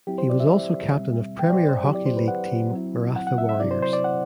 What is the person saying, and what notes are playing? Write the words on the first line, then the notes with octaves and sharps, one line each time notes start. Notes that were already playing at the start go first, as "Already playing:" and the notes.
He was also captain of Premier Hockey League team Maratha Warriors.
F#3 C4 E4 G4
C5
D5
E5
B2 G3 C4
G5
D5
C5
C5
F#3 C4 E4 G4
D5
C5
B4
F#5
F#3 C4 E4
F#5
F#5
E5
E5
C3 F#3 C4 E4 D5
C5
C5
D5
F#5